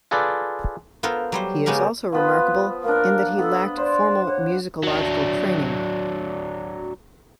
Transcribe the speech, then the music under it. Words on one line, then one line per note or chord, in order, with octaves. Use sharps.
He is also remarkable in that he lacked formal musicological training.
F4 G#4 A4 B4 D5
B3 F4 A4 A#4 C5
F#3 G3 C5
C#3 G#3 B3 C#4 G4 A#4
F3 B3 B4 B5
A#3 D4 A#4
B3 A4
C5 D5
C#5 F#5
F#3 D4